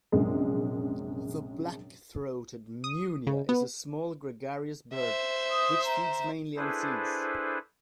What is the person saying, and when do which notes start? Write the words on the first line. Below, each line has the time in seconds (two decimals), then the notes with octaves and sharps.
The black-throated munia is a small gregarious bird which feeds mainly on seeds.
0.12 A#1 F#2 C3 G#3
2.84 D#6
3.27 C#3
3.49 B3
4.94 C5 E5
5.50 D#6
5.85 A#5
6.56 D4 E4 G#4 A4 B4 C5